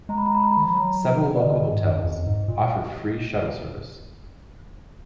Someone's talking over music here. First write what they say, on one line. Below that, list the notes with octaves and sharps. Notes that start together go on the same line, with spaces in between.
Several local hotels offer free shuttle service.
G#3 A#5
B5
A#5
B5
A#5
B5
D#3 A#5
F3 B5
F#3 A#5
F3
D5
D3 D#5
D3
D#3
G#2
F#2
F2
G#2
A#2